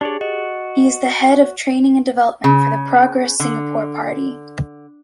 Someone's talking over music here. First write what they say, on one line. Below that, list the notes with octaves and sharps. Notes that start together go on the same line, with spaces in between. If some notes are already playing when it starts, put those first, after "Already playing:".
He is the head of training and development for the Progress Singapore Party.
D4 G4 G#4 C#5 D5
F#4 D#5
C#3
D3